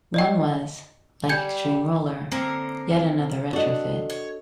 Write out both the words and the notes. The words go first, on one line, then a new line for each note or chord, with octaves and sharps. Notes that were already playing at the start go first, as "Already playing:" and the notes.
One was, like "Extremeroller", yet another retrofit.
D5 D#5 G5
G3 G#5 G6 G#6
D3 A#3 C4 A#4
D4 F#4 A4 D#5 F#5
C#5